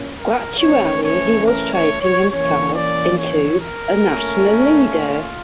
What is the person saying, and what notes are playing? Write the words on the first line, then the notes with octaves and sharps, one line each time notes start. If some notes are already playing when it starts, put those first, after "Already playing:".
Gradually, he was shaping himself into a national leader.
Already playing: A#2 C#4
A#4
E3 A3 C#4 C#5
C#5
A#4
C#5
C#5
E3 A#3 C#4 C#5
D5
C#5
A#4
A#2 A3 C#4
F4